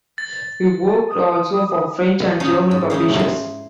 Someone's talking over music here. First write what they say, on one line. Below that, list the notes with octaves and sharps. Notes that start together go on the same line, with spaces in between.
He worked also for French and German publishers.
A6
D#6
C#4 D#4 C#5 F5 G#5
G#2
C#4 D#4 E4 F5
C6